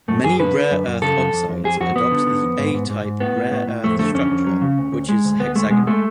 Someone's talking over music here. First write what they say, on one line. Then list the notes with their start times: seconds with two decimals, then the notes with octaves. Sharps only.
Many rare earth oxides adopt the "A-type rare earth structure" which is hexagonal.
0.08 F#2 A3
0.24 F#2 G#4
0.40 D3 B4
0.55 D3
0.71 F#2
0.87 F#2
1.02 C#3 A4
1.18 F#2
1.33 F2
1.49 F2
1.65 F2 G#4
1.80 F2 F#4
1.96 F2 B3
2.12 D3
2.27 D3
2.43 F2
2.59 G#2
2.74 G#2
2.90 G#2
3.05 G#2
3.20 A2 B3
3.37 A2
3.52 A2
3.67 A2
3.84 F2 A3
3.99 D3 A3
4.14 F2 C#4
4.31 F2
4.47 F#3
4.62 C#3
4.78 D2
4.92 D2
5.09 G#3
5.25 D2
5.39 D2 B3
5.55 G#3 A3
5.71 B2 G#3
5.87 G#3 A3